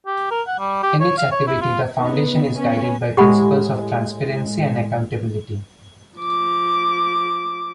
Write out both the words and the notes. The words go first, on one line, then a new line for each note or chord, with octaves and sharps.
In its activity, the Foundation is guided by principles of transparency and accountability.
G4
A#4
F#5
G3
G4
C#5
F5
C#5
E4
F4
C#3 B3 D#4
B3 C#4
A2 G#3 G4 F#5 B5
F3 D6